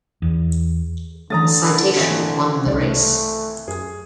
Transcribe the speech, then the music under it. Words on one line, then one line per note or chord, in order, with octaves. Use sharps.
Citation won the race.
E2
D3 E3 F#3 A3 A#5 D#6 A6
G#1 E3 C#5 D#5 E5
C2 A3 D#4 D5
F#2 G#4